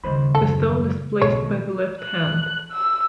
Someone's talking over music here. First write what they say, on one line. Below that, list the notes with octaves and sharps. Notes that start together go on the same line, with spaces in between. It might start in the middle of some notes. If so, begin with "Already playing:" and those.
The stone is placed by the left hand.
D#2 C#3 G3 C5 B5
F#2 A#2 D3 A4
B1 G#2 B2 F#3 C#5
D#3 F#3 G#3
F#6
E6